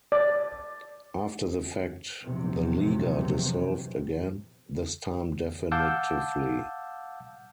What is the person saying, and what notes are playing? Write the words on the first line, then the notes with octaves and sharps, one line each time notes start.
After the fact, the Liga dissolved again, this time definitively.
D5
A#1 E2 C3 D#3 F3 F#3
F5 F#5 A5 D6 E6 G6